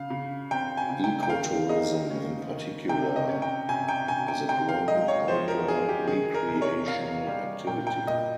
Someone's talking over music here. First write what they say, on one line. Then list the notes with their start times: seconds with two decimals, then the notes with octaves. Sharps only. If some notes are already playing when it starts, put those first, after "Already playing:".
Ecotourism, in particular, is a growing outdoor recreational activity.
Already playing: C#3 F5
0.10 C#3
0.51 C4 G5
0.77 G#5
0.90 C#3
1.04 G5
1.23 G5
1.30 D#3 F5
1.69 A#3 D#5
2.10 C#4
2.49 D#3
2.89 C3 G5
3.16 D#5
3.29 C#4
3.42 G5
3.69 C3 G#5
3.88 G5
4.08 C3 G#5
4.28 G5
4.49 C4 G5
4.69 F5
4.88 G#3 D#5
5.08 C#5
5.28 F3 C5
5.48 A#4
5.68 D#4 G#4
5.89 G4
6.08 D#3 G#4
6.34 A#4
6.48 C3
6.62 C#5
6.88 A#3 F5
7.27 G3
7.67 A#2 G5
7.87 G5
8.07 A#2 D#5